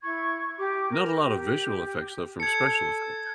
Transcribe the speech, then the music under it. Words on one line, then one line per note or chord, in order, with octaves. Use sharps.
Not a lot of visual effects, though, from special effects,
E4 C#6 G#6
G4 D6
A#4
G4
A4 G#6 C#7